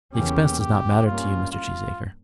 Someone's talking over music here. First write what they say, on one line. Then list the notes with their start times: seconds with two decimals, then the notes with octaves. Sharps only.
"The expense does not matter to you, Mr. Cheesacre."
0.14 E2 C#3 E3 A#3 C#4 G4
0.60 G4
1.06 G2 G3 A#3 C#4 F4
1.52 F4